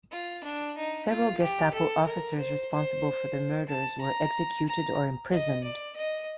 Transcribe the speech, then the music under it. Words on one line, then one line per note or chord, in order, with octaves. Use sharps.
Several Gestapo officers responsible for the murders were executed or imprisoned.
F4
D4
D#4
F4
G4
A4
A#4
C5
C5
A5
A#5
A#5
D#5
D5
D#5